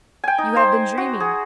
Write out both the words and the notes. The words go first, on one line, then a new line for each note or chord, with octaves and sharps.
You have been dreaming.
G5 G#5
D#4
C5
F#4
G#4